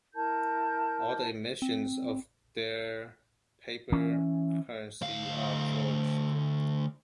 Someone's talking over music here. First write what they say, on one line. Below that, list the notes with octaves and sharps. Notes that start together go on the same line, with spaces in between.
All the emissions of their paper-currency are forged.
E4 A#4 A5 G6
C4
E3 C#4
D2 F5